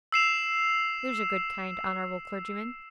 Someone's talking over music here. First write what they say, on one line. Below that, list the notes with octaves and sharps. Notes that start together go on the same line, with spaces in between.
There's a good, kind, honourable clergyman.'
E6 C7 E7 F7